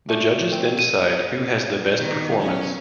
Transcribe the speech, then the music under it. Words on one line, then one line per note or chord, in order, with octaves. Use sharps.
The judges then decide who has the best performance.
A3 A4 D5
C4
D#7
B2 D#3 D#4
F#3 C#4